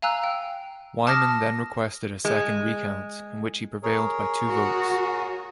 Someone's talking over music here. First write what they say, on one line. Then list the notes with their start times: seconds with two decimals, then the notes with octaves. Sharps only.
Wyman then requested a second recount, in which he prevailed by two votes.
0.02 F5 G#5 A#5 E6 F#6
0.24 G5
1.07 A5 D6 D#6 F6 A#6
2.25 G#3
3.83 G#4 A#4 C#5
4.48 F#4